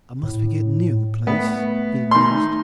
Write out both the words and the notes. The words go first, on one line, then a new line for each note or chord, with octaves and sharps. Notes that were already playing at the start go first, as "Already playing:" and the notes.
"I must be getting near the place," he mused.
A2
A3 B3
D#3 C6